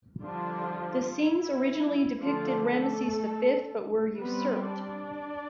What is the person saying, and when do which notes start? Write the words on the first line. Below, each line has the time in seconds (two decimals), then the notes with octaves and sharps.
The scenes originally depicted Ramesses the Fifth but were usurped.
0.22 D3 F3 G3 D4 F4
1.21 E4
2.21 D3 F3 A3 D4 F4
2.70 A3 A4
4.19 G3 B3 C4 B4
4.69 D4 D5